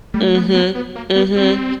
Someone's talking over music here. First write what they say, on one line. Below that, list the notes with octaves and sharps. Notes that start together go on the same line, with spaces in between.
Mhm. Mhm.
G3 A3
B3
B3
B3
A#3
B3
C4